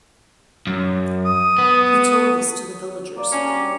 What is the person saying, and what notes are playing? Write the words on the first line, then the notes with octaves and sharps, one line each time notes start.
He told this to the villagers.
F#2
D#6
B3
A#3 D5
C#4 D4 F#4
G3 G4 A#4